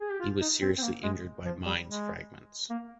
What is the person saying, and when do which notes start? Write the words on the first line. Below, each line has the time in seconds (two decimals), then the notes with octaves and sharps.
He was seriously injured by mines fragments.
0.01 G#4
0.11 G4
0.20 F4
0.41 D#4
0.62 C4
0.78 C4
0.83 A#3
1.03 G#3
1.45 F3
1.66 G3
1.86 G#3
2.70 A#3